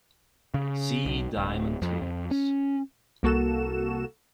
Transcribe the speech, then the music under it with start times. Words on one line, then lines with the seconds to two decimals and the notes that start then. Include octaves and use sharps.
See diamond tools.
0.54 C#3
1.05 B1
1.37 D1
1.82 F2
2.02 F2
2.31 C#4
3.23 C2 A#3 F#4 A4 E7